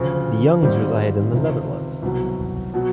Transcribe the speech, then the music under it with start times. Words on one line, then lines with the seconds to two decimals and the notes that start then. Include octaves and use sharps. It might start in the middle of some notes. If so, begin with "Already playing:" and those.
The Youngs resided in the Netherlands.
Already playing: D2 C#3 F3
0.62 G#1 G#2 D#3 G3 C4
1.33 C#2 C3 D#3
2.02 C2 B2 F#3
2.74 B2 F#3